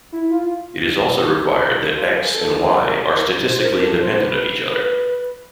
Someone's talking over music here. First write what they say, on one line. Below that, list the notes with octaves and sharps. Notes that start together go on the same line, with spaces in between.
It is also required that "X" and "Y" are statistically independent of each other.
E4
F4
F4
G#4
A4
A#4
C5
A#4
A#4
A4
C5
B4